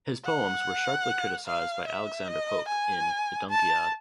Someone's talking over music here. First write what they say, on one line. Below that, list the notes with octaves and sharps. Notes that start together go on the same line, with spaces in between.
His poems were sharply criticized by Alexander Pope in "The Dunciad".
F#5
F5
E5
D#5
G#5
A5